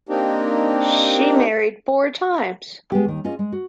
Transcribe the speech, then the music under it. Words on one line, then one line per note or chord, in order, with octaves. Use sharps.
She married four times.
A#3 C4 D4 D#4 G4
G#3 B3 G4
D#2 D#3
C#4 F4 G#4 D#5
G#3
F#4